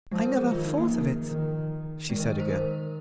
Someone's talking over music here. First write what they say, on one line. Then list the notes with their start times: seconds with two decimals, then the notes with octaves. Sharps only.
"I never thought of it," she said again.
0.12 F3 G#3
0.25 A#4
0.38 G#4
0.51 D#3 F4
0.65 D#4
0.78 A#3
0.91 D#3 F3
1.30 D#3
2.10 D#3 G#3
2.20 A#4
2.30 A#4
2.40 C5
2.49 A#4